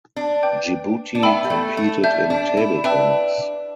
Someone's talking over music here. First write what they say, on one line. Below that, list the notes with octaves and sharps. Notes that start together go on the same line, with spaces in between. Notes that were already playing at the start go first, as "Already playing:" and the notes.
Djibouti competed in table tennis.
D4
B4 G5 D6 G6
D4
B3 E5 G5 B5 E6
G3
A3
A3
G3 E5 A5 G6
D4
E4
D4 B4 E5 G5 E6